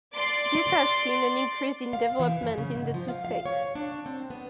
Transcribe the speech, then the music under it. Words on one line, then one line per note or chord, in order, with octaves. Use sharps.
This has seen an increase in development in the two states.
D5 C6 D6
F5
E3
F#2
C#3
G#2
F3
F5
F5
C#5
D4
C4
B3